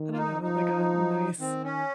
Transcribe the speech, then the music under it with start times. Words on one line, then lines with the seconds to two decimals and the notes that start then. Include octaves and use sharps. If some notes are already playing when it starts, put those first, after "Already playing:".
I don't know, like a nice
Already playing: D#3
0.13 F4
0.18 D#4
0.42 F3 D#4
1.39 D#3 C4
1.64 C#4